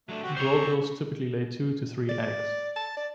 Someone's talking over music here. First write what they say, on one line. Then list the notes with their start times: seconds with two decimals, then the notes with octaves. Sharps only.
Broadbills typically lay two to three eggs.
0.09 F#3 A3 D4
0.23 C4 F#4 G4
0.37 C5 C#5 C#6
2.09 D5
2.76 A5
2.97 D5